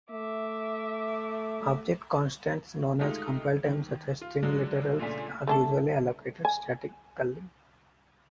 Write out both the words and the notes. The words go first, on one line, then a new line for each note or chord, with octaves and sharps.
Object constants known at compile-time, such as string literals, are usually allocated statically.
A3 E5 D6
G#3 A3 D#4 F4 G4
D#3
F4
D3 F#3 G#3
A#2 C#3 A3 D4 G#5 B6
A3 D4 A4
G#5